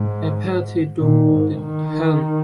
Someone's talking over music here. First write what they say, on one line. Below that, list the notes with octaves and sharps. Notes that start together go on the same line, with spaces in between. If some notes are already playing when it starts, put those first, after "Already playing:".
Apathy Took Helm!
Already playing: G#2
A#2 D#3
G#2
D#3